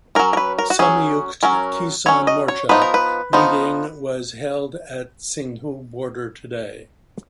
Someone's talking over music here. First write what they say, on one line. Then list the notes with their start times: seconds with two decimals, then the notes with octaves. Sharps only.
Samyukt Kisan Morcha meeting was held at Singhu Border today.
0.15 F#3 C#4 A#4
0.33 A#4
0.37 B4
0.58 A#4
0.70 F#4
0.79 F#3 C#4 G#4
1.43 F#3 C#4 A#4
2.06 F#3 C#4 C#5
2.27 D#5
2.48 C#5
2.69 F3 B3 D#4 B4
2.82 A#4
2.94 B4
3.33 F3 B3 D#4